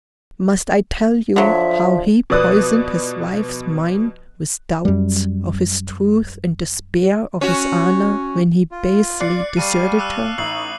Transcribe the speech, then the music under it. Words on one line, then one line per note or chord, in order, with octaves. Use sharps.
Must I tell you how he poisoned his wife's mind with doubts of his truth and despair of his honor, when he basely deserted her?
D3 F3 F#3 E5
B2 F3 B3 D5 D#6 F#6
F#2 G3
C#4 F#4
F4
D5 F#6 C7 C#7
G3 F5 A5 C#6 D#7
D6 E6 F#6
A1 D#4 C7 F#7